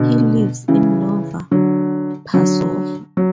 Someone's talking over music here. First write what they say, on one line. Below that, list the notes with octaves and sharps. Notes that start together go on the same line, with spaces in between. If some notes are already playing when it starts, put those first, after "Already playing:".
He lives in Nova Pazova.
Already playing: B2 D3
C#3 E3
D3 F#3
D3 F#3
F#3